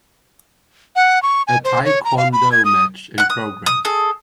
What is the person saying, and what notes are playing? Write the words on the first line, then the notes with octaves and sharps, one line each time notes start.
A Tae Kwon Do match in progress.
F#5
C#6
G#5
C5
C#5
A#5
F5
B5
G#6
D#6
F#5 F#6
D#6
D#6
G#4 A4